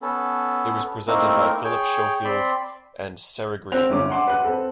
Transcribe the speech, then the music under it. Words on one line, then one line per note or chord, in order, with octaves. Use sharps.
It was presented by Phillip Schofield and Sarah Greene.
B3 C#4 A4
A3 A#3 C4 D#4 E4 A#4
G#4 C#5 G5
C4 D5 B5 C6
C4 F#6 F7
G1 C#4 D6
F#5 C6 D6
B4 F#5 F#6
C4 A4